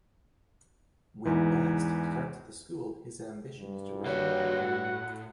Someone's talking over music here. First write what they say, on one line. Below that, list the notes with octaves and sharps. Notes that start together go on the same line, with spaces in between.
When Bast starts at the school his ambition is to write an opera.
E2 G#2 E3
G2
A#3 F#4 C#5 F#5
A2